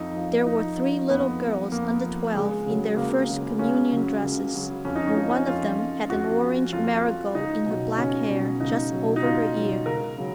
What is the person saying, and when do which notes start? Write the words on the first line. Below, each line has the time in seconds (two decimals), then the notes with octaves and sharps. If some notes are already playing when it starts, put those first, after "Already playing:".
There were three little girls under twelve, in their first communion dresses, and one of them had an orange marigold in her black hair, just over her ear.
Already playing: F2 D#4
0.16 F3
0.46 F2 D#4
0.78 F3
1.09 F2 B3
1.41 F3
1.71 F2 A#3
2.04 F3
2.34 C#2 G#3
2.66 C#3 F#3
2.97 C#2 A#3
3.29 C#3 F#3
3.59 C#2 C#4
3.91 C#3 F#3
4.22 C#2
4.54 C#3 F#3
4.85 F2 C#4
4.95 D#4
5.07 C#4
5.17 F3 D#4
5.29 C#4
5.47 F2 F4
5.78 F3
6.10 F2 F#4
6.42 F3
6.72 F2 F4
7.04 F3
7.35 C#2 D#4
7.66 B2 F#3
7.98 C#2 C#4
8.29 B2
8.34 F#3
8.60 C#2 D#4
8.92 B2 F#3
9.16 D#4
9.23 C#2 F4
9.54 B2 F#3
9.85 C#2 A#4
10.17 C#3 F#3